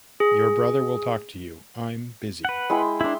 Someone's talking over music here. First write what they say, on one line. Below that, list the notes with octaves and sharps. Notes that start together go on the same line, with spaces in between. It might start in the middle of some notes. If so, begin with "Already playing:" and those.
Your brother will talk to you; I'm busy.
G#4
B4 F#5
G#3 E4 G5
D4 E4 E5 C6